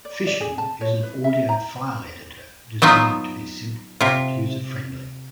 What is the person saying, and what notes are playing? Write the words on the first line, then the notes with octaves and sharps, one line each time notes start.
Fission is an audio file editor designed to be simple and user-friendly.
D5
D5
G#4
A5
C#5
B4
E5
A#5
F#3 B3 D#4 F4
C3 F4